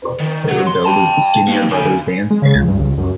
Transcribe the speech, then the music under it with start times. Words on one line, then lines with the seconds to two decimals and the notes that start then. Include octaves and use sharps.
They were billed as the Skinner Brothers dance band.
0.20 D#3
0.48 F#3
0.67 C6
0.85 G5 A5
1.48 A#3 D#4
1.70 D3 G#5
2.30 G#3
2.42 C#3
2.56 C#2
2.68 G2
2.80 C#2
2.98 F#2